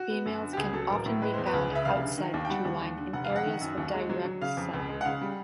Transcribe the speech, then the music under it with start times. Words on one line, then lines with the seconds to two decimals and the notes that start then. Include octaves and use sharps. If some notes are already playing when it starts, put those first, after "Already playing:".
Females can often be found outside the treeline, in areas of direct sun.
Already playing: F#4
0.10 B3
0.26 F#2
0.42 D3
0.53 G4
0.57 C#2 G#4
0.73 F#3 A4
0.90 A1 A#4
1.06 A2
1.22 G#3 B4
1.34 E2 C5
1.46 B4
1.53 C#2
1.69 C#3
1.75 E5
1.85 F1 F5
2.02 D3
2.18 D#3
2.34 D#2
2.45 G5
2.49 G3 F#5
2.65 D#2
2.82 D#2
2.97 D3
3.13 F1 F#5
3.25 F2 F5
3.36 F#5
3.45 D#3
3.61 F#2
3.77 D#2
3.94 G#3
4.09 F#3
4.25 F#3
4.41 C#3 F5
4.57 F2
4.74 C#2
4.89 G#3
5.01 F#5
5.05 C#3 F5
5.21 G3